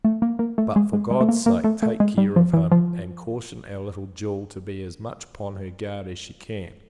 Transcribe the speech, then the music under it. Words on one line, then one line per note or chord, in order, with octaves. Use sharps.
But, for God's sake, take care of him; and caution our little jewel to be as much upon her guard as she can.
A3
A#3
A#3
A3
G#3
G#3
G#3
A3
A#3
A#3
A3
A3
G#3
G3
F3
E3
F3